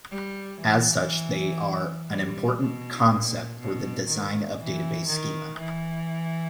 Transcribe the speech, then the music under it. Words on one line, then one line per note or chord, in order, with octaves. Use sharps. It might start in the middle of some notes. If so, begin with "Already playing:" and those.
As such they are an important concept for the design of database schema.
G3
E3
G3
B2
A#2
B2
D#3
E3
D#3
E3